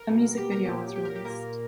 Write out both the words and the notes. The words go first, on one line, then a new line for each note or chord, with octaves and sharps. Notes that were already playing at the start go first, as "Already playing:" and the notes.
A music video was released.
Already playing: A#4
B2 A#3
G4
A#4
A#2 F#3 A#3 G4
G4
A#4
G4
A#2 A#3 A#4